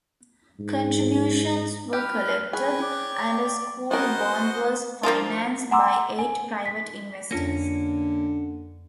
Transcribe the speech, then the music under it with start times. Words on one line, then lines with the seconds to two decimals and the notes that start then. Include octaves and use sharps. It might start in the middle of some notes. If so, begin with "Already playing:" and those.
Contributions were collected, and a school bond was financed by eight private investors.
0.60 G#2
1.93 G4 B4 F6
2.53 G#4 B4 C#5 G5
2.82 D5
3.91 B3 F#4 A#4 C5 D#5
5.03 F3 A#3 D4 F4
5.71 F#5 G#5 A#5 C6 D6 E6
6.19 G#5
6.66 B6
7.31 F2 D3 A#3 C#4 F4 A#6